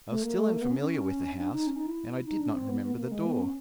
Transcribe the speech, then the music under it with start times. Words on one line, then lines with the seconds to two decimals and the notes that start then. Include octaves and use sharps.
I was still unfamiliar with the house, and I did not remember the door.
0.09 A3
0.23 A#3
0.37 A3
0.52 A#3
0.61 B3
0.71 C#4
1.39 D4
1.52 D#4
1.67 C#4
1.76 D#4
1.86 E4
2.25 D#4
2.39 D4
2.53 C4
2.68 B3
2.82 B3
2.96 A#3
3.11 G#3
3.25 B3
3.40 C#4